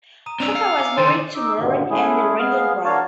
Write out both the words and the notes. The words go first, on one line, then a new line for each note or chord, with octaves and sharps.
Parker was married to Muriel Anne Randell-Brown.
A#5 D#6 D#7
C4 D4 E6 D7 F7
F5 E6 C#7
G#5 D6 D#6
D3 D#3 C5 A6
D#4 D6 E6
G2 A#2 D3 D#3 F#3
G#3 A3 C#4 E4 G#4
G#3 B3 G#4 F5 F6
A#3 D4 F#4 C#5 F5 A5